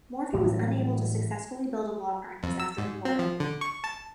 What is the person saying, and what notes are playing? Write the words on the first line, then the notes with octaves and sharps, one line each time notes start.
Morphy was unable to successfully build a law practice after the war ended.
A2 E3 F#3 G3
F2
E6
G#2
C4
F3
D3
C#6
A5